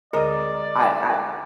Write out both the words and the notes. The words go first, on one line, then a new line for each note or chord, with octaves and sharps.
I I
D2 D3 G#3 A#4 D5 D#5 A#5